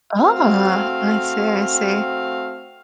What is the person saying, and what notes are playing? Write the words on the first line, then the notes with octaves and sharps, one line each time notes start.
Oh, I see, I see.
A3 C4 F#4 F5